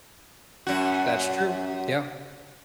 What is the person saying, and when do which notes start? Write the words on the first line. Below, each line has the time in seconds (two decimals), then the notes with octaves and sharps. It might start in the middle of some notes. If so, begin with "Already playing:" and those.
That's true, yeah.
0.67 F#2 F#4